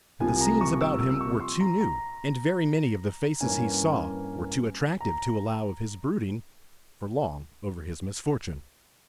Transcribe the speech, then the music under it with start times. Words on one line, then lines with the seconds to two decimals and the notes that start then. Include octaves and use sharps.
But the scenes about him were too new, and very many of the faces he saw were too attractive, to allow of his brooding for long over his misfortune.
0.20 C2 C3 F3 A#3 G#5
0.41 A#5
0.61 C#6
0.81 E6
1.01 E6
1.21 C#6
1.40 C6
1.61 A#5
1.81 A#5
3.41 G2 E3 A#3 C#4 G#5
5.01 A#5